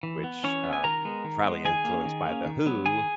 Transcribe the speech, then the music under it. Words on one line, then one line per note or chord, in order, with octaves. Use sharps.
Which, um, probably influenced by The Who.
E3
B3
E3 C#4 C#5
B3
G#5
D#3 A#4 A#5
G#3 B3
D#3
B3
G#3
D#3 G#4 G#5
A#3
C#4
D#3
A#3 C#4
D#3
F#3 B3
D#3 G#4 G#5